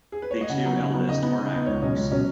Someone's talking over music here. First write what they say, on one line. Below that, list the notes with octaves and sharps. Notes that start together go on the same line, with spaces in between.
The two eldest are actors.
G#4
B4
C#5
D#5
C#3 F#5
F#3 B3 D#4
C#3
F#3 B3 D#4
C#3 D#5
B3 D#4
C#3
B3 D#4
C#2 C#5
B2 F#3 C#4 D#5
C#2
B2 F#3 C#4